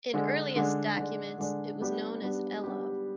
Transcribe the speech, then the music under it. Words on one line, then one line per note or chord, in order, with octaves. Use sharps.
In earliest documents, it was known as "Elhov".
D3 G#3 D4
D3 G#3 D4
D3 G#3 D4
D3 G#3 D4
G3 B3 D4 G4
G3 B3 D4 G4
G3 B3 D4 G4